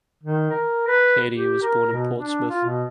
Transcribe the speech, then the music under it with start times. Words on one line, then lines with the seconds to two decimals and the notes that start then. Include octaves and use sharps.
Katy was born in Portsmouth.
0.23 D#3
0.50 A#4
0.88 B4
1.33 G4
1.62 A#4
1.92 B2
2.15 D4
2.49 F4
2.65 B2